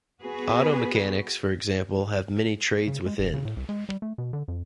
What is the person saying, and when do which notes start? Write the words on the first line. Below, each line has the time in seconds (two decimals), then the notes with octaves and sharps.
Auto mechanics, for example, have many trades within.
0.22 B3 F#4 G#4 B4
2.87 C#3
3.06 G#3
3.18 E1
3.34 C#3
3.45 A2
3.57 C2
3.69 G#3
3.89 G3
4.02 A3
4.18 B2
4.33 D3
4.48 F2